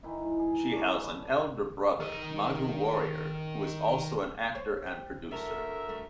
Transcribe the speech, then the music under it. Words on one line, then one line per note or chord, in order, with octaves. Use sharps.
She has an elder brother, Madhu Warrier, who is also an actor and producer.
D#3 E3 D#4 E4
G#3
G#4
D4 A#4 C#5 D#5
D3 B4
D#3 D#5
C5 C#5
G4
D2 A3 A4 A#4 E5
A3